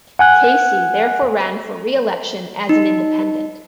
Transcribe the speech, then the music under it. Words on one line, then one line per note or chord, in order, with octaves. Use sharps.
Casey therefore ran for re-election as an independent.
F#5 G#5 F#6
D#4